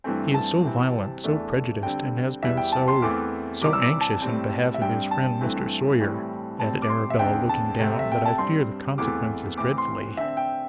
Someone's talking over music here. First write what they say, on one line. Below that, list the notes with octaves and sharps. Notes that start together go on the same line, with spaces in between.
He is so violent, so prejudiced, and has been so--so anxious in behalf of his friend, Mr. Sawyer,' added Arabella, looking down, 'that I fear the consequences dreadfully.'
G2 E3 A3 C4
A5
C3 E3 C4
E2 E3 A3 D4
D3 G3 C4 G5
E2 E3 G3 E5
G5
A5
C6
E2 E3 A3 C4 D6
C3 E3 G3 D6
E6
D6
A5
A2 G3 C4
E5
G2 G3 C4 G5
A5
G2 E3 A3 C4
A2 E3 G3 C4
A2 G3 C4 A5
D6
C6
E5
E2 D3 C4 G5
A5
C3 A3 C4
E5
G5
A5
G2 G3 C4 C6
E2 E3 A3 C4 D6
A2 E3 C4 D6
C6
D3 C4 E5
G5